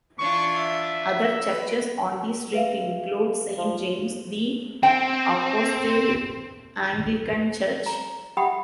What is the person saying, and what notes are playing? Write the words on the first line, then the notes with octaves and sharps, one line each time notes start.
Other churches on the street include Saint James the Apostle Anglican Church.
E3 D4 F4 C#6
E5
B4
B4 E5 F5
F3
C4 G5
A#5
G4 E5 F#5 G5 B5 D#6